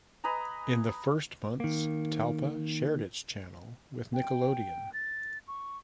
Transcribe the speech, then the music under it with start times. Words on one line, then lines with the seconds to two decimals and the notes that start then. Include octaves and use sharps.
In the first months Talpa shared its channel with Nickelodeon.
0.24 B4 D#5 G#5 A#5
1.60 D#3 A#3
4.14 G5
4.93 A6
5.48 C#6